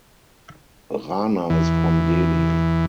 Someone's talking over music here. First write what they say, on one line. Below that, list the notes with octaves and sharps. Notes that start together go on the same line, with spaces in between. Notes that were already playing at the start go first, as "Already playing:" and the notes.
Rana is from Delhi.
E2 E3